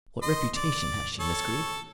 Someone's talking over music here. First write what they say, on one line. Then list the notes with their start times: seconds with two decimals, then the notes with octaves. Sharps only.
"What reputation has she, Miss Greeb?"
0.22 D#5 C6
0.56 D5
1.20 A4 C#5